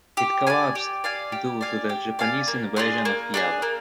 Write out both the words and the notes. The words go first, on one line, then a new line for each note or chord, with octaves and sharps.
It collapsed due to the Japanese invasion of Java.
G4
D5 F5 G#5
G4
D5 F5 G#5
G4
D5 F5 G#5
G4
D5 F5 G#5
A#3
D4 F4 G#4
A#3
D4 F4 G#4
A#3